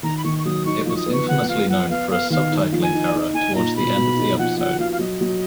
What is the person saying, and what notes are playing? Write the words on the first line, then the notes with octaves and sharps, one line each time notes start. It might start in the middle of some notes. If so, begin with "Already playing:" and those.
It was infamously known for a subtitling error towards the end of the episode.
D#3 A#5
B5
D#3 C#6
C#6
F#3 D#6
D#4 C#6
F3 C#6
D#6
B3
C#6
F3 F#5
F3 F5
F3 F#5
B3 F5
B3 F5
D#3 F5
D#4
F3
G#5
D#4
D#4
D#4 G#5
A#2 A#5
B2 B5
B2
D#4
F3 F#5
F3 F#5
F3 F5
F5
F#3 D#5
F#3